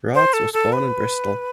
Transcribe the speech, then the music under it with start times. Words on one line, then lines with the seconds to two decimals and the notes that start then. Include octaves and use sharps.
Rahtz was born in Bristol.
0.15 C5
0.33 A4
0.53 A4
0.73 B4